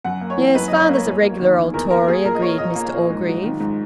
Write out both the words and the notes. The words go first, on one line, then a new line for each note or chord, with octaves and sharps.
"Yes, father's a regular old Tory," agreed Mr Orgreave.
F#2 F#5
A#3
C#5
E3
F#2 B4
D#5
F#2 C#5
D#5
A#3 C#5
E2
A#3
D#3
E2
E2 A#4
A#3 A#4
A#3 G#4
A#2 A#4
D#5
A#3 C#5
A#2 D#5
A#3
A#2
G#2
F#3
D#3
G#2